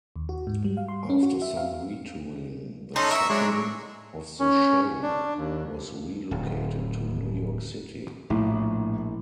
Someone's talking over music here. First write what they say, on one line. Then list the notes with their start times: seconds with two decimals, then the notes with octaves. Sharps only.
After some retooling, the setting of the show was relocated to New York City.
0.16 D#2
0.29 F#4
0.47 G#2
0.64 G3
0.77 F5
0.88 C6
1.10 C#4
1.23 F#4
1.42 E5
1.57 F5
2.96 A3 C#4 D#4 A4 C6
3.11 A#4 E5 C#6
3.30 F#3 G#3 D4 C#5
4.39 C#4
5.03 D4
5.38 D#2
6.31 D1
8.30 A#1 A2